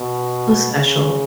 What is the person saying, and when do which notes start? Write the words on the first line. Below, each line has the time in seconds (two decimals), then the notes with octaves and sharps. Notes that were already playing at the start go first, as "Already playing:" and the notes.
How special.
Already playing: B2
0.72 C#3